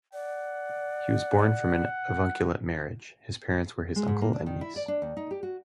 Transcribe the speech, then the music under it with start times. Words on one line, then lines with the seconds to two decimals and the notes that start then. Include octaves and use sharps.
He was born from an avunculate marriage - his parents were uncle and niece.
0.13 D5 F#5
3.96 G#3
4.07 G#2
4.21 A#3
4.33 D4
4.46 D#3
4.61 E4
4.76 D5
4.88 D4
5.02 D#2
5.17 D#4
5.31 G4
5.43 F#4